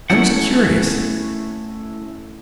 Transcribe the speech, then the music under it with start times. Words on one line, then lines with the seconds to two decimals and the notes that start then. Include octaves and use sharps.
I was curious.
0.10 A3 C#4 E4 F#5